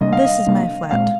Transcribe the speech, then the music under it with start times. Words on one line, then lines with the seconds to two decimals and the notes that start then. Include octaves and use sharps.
This is my flat.
0.01 C3 G3 A#3 D4 D#5
0.13 F5
0.25 D#5
0.46 C3 G3 A#3 D4
0.91 A#2 G#3 C4 F5